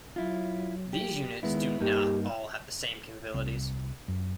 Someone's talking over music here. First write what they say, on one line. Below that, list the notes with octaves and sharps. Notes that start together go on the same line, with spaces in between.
These units do not all have the same capabilities.
F#3 E4 F4
G4
D#3 G#3 B3 E4
G2 A#3 D#4 G4
C2
F#2